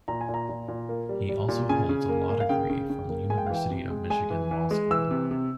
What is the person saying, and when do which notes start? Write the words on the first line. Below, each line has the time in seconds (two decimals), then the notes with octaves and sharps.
He also holds a law degree from the University of Michigan Law School.
0.08 A#2 A#5
0.21 G#5
0.29 A#2
0.34 A#5
0.49 A#2
0.68 A#2
0.89 A#3
1.09 G3
1.29 G3
1.49 A#2
1.69 C#3 G#5
1.89 C#3
2.09 A#3
2.30 A#3
2.40 F5
2.49 C#3 G5
2.70 C#3
2.90 C#3
3.10 A#3
3.30 G#3 G#5
3.38 G5
3.46 F5
3.50 E3 G5
3.70 C3
3.90 G#3
4.10 G#3 G#5
4.30 E3
4.51 E3
4.71 G#3
4.91 E3 E6
5.11 C3
5.31 C3